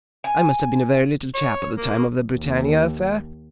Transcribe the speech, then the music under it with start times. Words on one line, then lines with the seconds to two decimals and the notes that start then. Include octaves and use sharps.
I must have been a very little chap at the time of the Britannia affair.
0.24 G#5
1.35 C#5
1.78 A#3
2.35 D#2